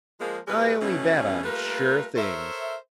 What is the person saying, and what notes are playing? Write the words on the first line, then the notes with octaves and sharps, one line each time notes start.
"I only bet on sure things."
F3 G#3 A#3
E2 B2 G3 G#3 B4
G2 B2 E3 A3 C#4
G3 A3 A#3 F4 A#4 B4
A4 A#4 C5 C#5 E5